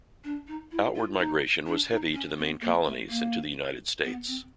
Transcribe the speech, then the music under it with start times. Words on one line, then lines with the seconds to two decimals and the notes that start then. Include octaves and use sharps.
Outward migration was heavy to the main colonies and to the United States.
0.24 D4
0.48 D#4
0.72 E4
0.95 F4
1.18 D#4
1.66 D4
1.91 D#4
2.13 C#4
2.38 B3
2.61 A#3
2.85 A3
3.09 A#3
4.04 B3
4.27 C4